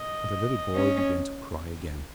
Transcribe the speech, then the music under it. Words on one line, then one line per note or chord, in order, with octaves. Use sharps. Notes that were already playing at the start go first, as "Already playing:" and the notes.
And the little boy began to cry again.
Already playing: D#5
C#4